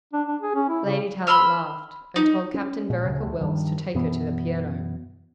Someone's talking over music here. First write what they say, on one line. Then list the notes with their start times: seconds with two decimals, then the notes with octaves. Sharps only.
Lady Tallant laughed, and told Captain Vereker Wells to take her to the piano.
0.13 D4
0.28 D4
0.41 G#4
0.55 C#4
0.69 E4
0.85 C#3
1.27 B5 C6 E6 F6
2.16 D#4
2.54 C#4
2.90 A#2
3.05 D2 C#3
3.23 D2 A3
3.40 G2 D#3 F3
3.94 F#2 B2 E3 B3